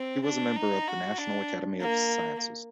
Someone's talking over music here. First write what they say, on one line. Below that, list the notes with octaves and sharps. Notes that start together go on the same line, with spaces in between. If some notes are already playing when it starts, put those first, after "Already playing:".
He was a member of the National Academy of Sciences.
Already playing: C4
D4
D#4
F#4
D4
A#3